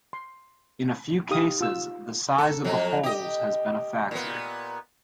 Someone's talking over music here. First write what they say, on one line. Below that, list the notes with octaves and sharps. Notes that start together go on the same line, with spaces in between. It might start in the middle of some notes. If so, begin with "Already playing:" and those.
In a few cases the size of the holes has been a factor.
C6
D#4 G4 F5 D#6
F4 E6
A4
F2 F#3
G4 D#5
A#2 B3